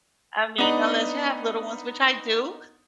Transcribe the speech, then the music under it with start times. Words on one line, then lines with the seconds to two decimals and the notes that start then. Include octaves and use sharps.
I mean, unless you have little ones, which I do,
0.58 B3 D4 D#4